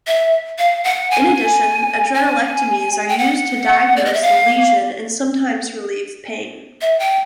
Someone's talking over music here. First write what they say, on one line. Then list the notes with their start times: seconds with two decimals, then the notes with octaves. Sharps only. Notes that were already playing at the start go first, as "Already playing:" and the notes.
In addition, adrenalectomies are used to diagnose the lesion and sometimes relieve pain.
0.07 E5
0.58 F5
0.84 F#5
1.11 G#5
2.14 G#5
3.09 G5
3.19 F#5
3.96 D5
4.05 D#5
4.13 E5
4.22 F5
6.81 E5
6.99 G5